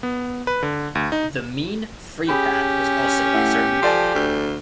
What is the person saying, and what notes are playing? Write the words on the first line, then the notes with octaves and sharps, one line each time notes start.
The mean free path was also uncertain.
B3
B4
D3
D2
D#4
C#4 G4 G#4 B5
A3 E4 F#5
F3 A4 D5 G#5
D2